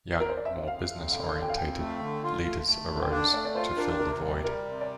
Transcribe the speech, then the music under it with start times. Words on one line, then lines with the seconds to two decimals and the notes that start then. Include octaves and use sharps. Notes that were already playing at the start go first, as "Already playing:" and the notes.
Young, more business-oriented leaders arose to fill the void.
0.20 A#4
0.29 C5
0.37 D5
0.45 F2 E5
0.67 F2 F5
0.89 F2
1.12 D3 F5
1.34 F2
1.41 G5
1.49 F5
1.56 F2 G5
1.78 A3
2.00 D3
2.23 F4
2.45 A3
2.66 A3
2.89 D3
3.02 G5
3.11 D4 F5
3.33 A3 D5
3.45 D5
3.55 F4 C5
3.77 D4 A#4
3.99 C3 A#4
4.21 G3
4.44 G3 A#4
4.67 C3
4.81 D5